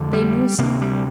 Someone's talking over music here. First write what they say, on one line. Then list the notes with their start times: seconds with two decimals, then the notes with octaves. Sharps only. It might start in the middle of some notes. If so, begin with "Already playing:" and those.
They know something.
Already playing: F2 D3
0.13 G3
0.58 D2 C3 A#3
0.81 G3